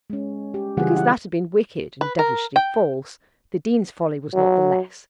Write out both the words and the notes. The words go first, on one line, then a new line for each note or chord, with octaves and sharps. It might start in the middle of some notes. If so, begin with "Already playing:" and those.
Because that had been wicked and devilishly false, the Dean's folly was not the less.
G#3 C#4
G4
C#3 E3 G3 F4 G#4 F#5
E4 F#5
B4
A#4
G5
F#3